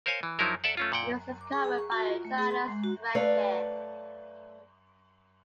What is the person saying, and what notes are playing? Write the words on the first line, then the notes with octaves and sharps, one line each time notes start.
It was discovered by Johannes Reinke.
A#4 C5 C#5 F5 G#5
E3
F3 F#3 D#4 E4 A#4
A4 D5 E5 F#5
A3 C#4 F4
A#2 F#5 G5
D6
G#4
G#4
C#6
F#4
F4
A3
G#4
C6
G#3
F#4
A3 B4 C#5 D5 F5